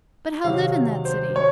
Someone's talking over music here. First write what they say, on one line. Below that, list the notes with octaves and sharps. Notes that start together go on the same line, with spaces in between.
But how live in that city?
C3 D#3 F#3 F5
C5
C#5